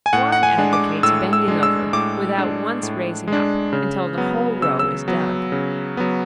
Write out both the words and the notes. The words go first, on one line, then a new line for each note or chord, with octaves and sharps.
One advocates bending over, without once raising up, until the whole row is dug.
G#5
A2 F#5
F#5
G#5
G#3 D4
D6
A2 E6
E6
G#3 D4
E6
A2 D6
G#3 D4
A2
G#3 D4
C#3
F#3 B3
C#3 E6
E6
F#3 B3
C#3
F#3 B3